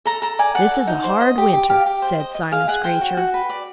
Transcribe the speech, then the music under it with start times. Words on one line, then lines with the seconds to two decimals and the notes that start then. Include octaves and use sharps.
"This is a hard winter," said Simon Screecher.
0.06 A4 A#5
0.22 A4 A#5
0.39 D5 G#5
0.55 D5 F#5
0.71 A4
0.87 D#4
1.04 C5
1.21 D#5
1.38 G4
1.53 G4
1.70 G4 F5
1.86 G4
2.02 C5
2.20 D#5
2.35 D#5
2.52 G#4 F5
2.68 G#4 F#5
2.84 C5 G5
3.01 F#4
3.17 F#4
3.34 B4
3.49 D5